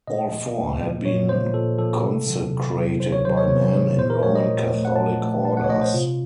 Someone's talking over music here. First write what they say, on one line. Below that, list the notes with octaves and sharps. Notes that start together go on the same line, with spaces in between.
All four had been consecrated by men in Roman Catholic Orders.
A#2 D#5
F3 A#3
A#2
F3 A#3
A#2 C#5
F3 A#3 C5
A#2 A4
F3 A#3 A4
C3
D#3 F#3
C3
D#3 F#3
C3 C5
C#5
D#3 F#3 C5
C#5
C3 C#5
D#3 F#3
A#2 C5
A#4
F3 A3 C#5
D#5
A#2
F3 A3
F#5
A#2 A5
F3 A3
A#2 A5
F#5
C#5
F3 A3 D#5
C5
C3 F4